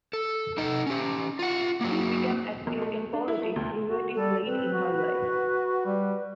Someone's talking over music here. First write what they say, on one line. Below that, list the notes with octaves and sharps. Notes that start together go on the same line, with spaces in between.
She became active in politics relative late in her life.
A4
D#4 A4 D#5
C#4 G4
F4 F#5
F#3 A#3
B1
A3
D4
E4
A3
D2
F#4
G3 A4
C4 B4
F#4
G3